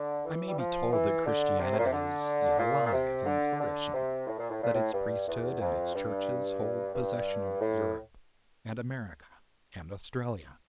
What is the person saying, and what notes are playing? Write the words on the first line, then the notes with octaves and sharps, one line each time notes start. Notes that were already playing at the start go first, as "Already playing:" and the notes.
I may be told that Christianity is yet alive and flourishing, that its priesthood and its churches hold possession of Europe and America and Australia.
Already playing: D3
E3
G3
F3
E3
D3
C3
A2
A#2
C3
D3
A#2
A#2
C3
D3
D3
C3
A2
A#2
A2
A#2
A2
G2
E2
F2
G2
G2
A2